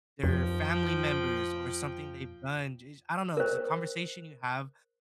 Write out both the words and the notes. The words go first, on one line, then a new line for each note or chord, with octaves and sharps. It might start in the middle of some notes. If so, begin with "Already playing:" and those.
their family members or something they've done j I don't know, the conversation you have
F2 F3 G5
A#4 C5